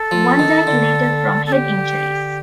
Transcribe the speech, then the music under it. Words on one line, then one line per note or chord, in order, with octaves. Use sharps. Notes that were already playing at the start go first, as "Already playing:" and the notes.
One died later from head injuries.
Already playing: A4
F3
D#3
D3
A4
G4